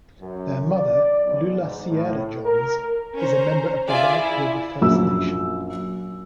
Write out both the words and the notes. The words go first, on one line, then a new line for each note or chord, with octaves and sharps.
Their mother, Lulla Sierra Johns, is a member of the White River First Nation.
F#2
D5
B1
G#2
A2
A#4
C#4 C5 A#5
F4 G#4 D5 E5 G#5
E4
A#1 F#2 E6